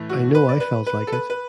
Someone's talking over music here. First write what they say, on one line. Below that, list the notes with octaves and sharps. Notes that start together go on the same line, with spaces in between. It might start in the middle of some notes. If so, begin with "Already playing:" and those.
I know I felt like it.
Already playing: A2 E3 A3
F#4
B4
D5
B4
B4
A4
B4
B4